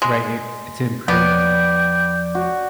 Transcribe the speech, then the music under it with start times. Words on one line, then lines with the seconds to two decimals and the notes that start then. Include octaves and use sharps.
Right. It It's improved.
0.02 G#3
1.08 E2 F3 B3 D5 G5
2.35 F#4